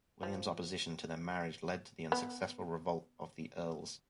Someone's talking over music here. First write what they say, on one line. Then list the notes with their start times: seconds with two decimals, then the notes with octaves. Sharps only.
William's opposition to their marriage led to the unsuccessful Revolt of the Earls.
0.23 F3
2.12 B3